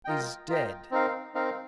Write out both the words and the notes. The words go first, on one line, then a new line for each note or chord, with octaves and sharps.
"Is dead."
F4 A#4 D#5 G5
F4 A#4 D#5 G5
C4 D#4 A#4 F5
C4 D#4 A#4 F5